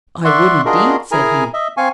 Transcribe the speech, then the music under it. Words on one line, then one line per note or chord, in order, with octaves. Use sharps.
"I would, indeed!" said he.
D5 E5 F#5 C6 C#6
D4 F4 F#4 G#4 A#4 D#5
E4 G#4 A#4 G#5 A#5
D#5 E5
C4 F5 G#5 C#6